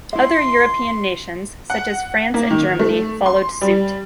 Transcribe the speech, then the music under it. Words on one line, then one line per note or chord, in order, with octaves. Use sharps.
Other European nations, such as France and Germany, followed suit.
E4 E5 C6
F#5
A#3
D#3
A3
C6
G3